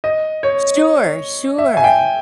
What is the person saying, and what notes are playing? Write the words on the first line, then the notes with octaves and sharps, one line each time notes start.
Sure, sure,
D#5
C#5
E5
G#5
G5